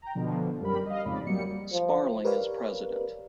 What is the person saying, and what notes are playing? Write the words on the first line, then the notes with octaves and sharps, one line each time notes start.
Sparling as president.
G5 A#5
B2 D3 F3
F#2 G3 A#4 B5
D#5 F5
F2 G#2 C#3 D5 B5
F#3 G3 A#3 C#7
F3
G4 A#4 B4 C#5 D5 F5